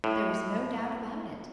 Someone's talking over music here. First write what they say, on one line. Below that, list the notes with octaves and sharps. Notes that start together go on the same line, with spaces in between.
There was no doubt about it.
A2